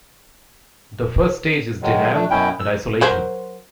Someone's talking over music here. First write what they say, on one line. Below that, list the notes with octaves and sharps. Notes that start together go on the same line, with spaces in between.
The first stage is denial and isolation.
D#3 F#3 G#3
A3 D4
F#2 B2 C#4 E4 G5
E6
F#3 A#4 C5